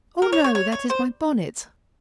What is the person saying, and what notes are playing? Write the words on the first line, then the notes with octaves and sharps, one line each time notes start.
'Oh no! that is my bonnet.
A#4
C#5
C#5
C#5
C#5
C5